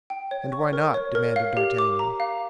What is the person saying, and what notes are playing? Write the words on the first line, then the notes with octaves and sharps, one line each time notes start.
"And why not?" demanded d'Artagnan.
G5
C#5
C#6
A#4
C#5
A#4
F5
G4
D6
A#5
F5